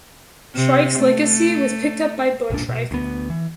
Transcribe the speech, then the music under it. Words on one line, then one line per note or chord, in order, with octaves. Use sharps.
Shrike's legacy was picked up by Boone - Shrike.
C3
A3
B1 F#2 A#2 D4
B2
D2 B3
E3